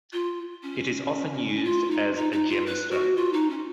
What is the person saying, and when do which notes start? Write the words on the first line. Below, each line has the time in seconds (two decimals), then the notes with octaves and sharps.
It is often used as a gemstone.
0.12 F4
0.63 C#4
1.64 F4
1.90 D#4
2.15 D#4
2.32 D#4
2.49 F4
2.66 B4
2.91 F#4
3.16 F4
3.33 D#4
3.50 C#4